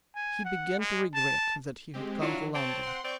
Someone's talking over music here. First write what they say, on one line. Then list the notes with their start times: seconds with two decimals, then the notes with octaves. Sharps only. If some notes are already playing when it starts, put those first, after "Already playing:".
He began to regret that he had come to London.
0.15 G#5
0.45 F#5
0.79 G#3
1.14 A5
1.94 G#3 C4 G4
2.21 F#3 D4 E4 F4
2.37 E3
2.55 C4 C#5 A5
2.83 F#5 C6
3.05 C4 D5 C#6 G6